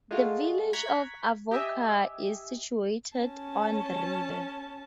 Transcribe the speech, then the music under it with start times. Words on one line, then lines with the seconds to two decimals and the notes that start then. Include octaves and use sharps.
The village of Avoca is situated on the river.
0.11 G#3 A3 F4 F#4
0.73 A#5 C#6 F#6 G#6 A#6 B6
1.51 G4 D#5 E5 G#5
3.17 C#4 A5